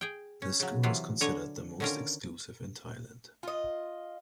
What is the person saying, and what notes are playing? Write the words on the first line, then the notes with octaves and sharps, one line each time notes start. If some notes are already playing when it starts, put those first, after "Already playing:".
The school is considered the most exclusive in Thailand.
G#4 G5
C#4
C#3 F#3
C3 E3 F#3 F4 F5
D3 C#5 G#5 A#5
D3 D#3 C#4 F4 A#4
F4 D#5